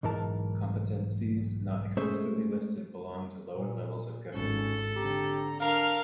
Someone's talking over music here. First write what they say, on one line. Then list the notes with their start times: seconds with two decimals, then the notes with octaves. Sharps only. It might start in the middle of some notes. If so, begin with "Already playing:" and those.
Competences not explicitly listed belong to lower levels of governance.
0.03 B1 G#2 E3 A#4 A5
1.97 G#3 A3 C#4 C5 C#5 E5
3.53 A#2
4.34 G#1 C#4 A4
4.96 D3 C4 G4 A#5
5.60 D4 A#4 F5